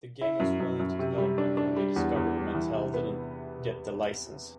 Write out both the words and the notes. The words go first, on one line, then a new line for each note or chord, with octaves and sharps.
The game was well into development when they discovered Mattel didn't get the license.
E4
F#2
F#2
F#2
C3
G3
D4
D4
G3
E2
E2
G3
E3
C3
B3